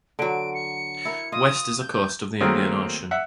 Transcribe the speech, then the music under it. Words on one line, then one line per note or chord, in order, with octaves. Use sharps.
West is the coast of the Indian Ocean.
D3 F#3 D7
C#7
E4 A#4
F4 D#5 D#6
G6
D#3 F#3 A3 A#3 C4 G#4
E5 F#5